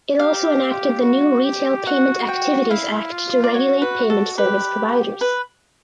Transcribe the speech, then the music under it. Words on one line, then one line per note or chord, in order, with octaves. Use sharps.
It also enacted the new "Retail Payment Activities Act" to regulate payment service providers.
G4 F5
F#4
G4
F#4 F#5
G5
E4 F5
F4
D5
F#4 C#5
B4
A4
G4 B4
B4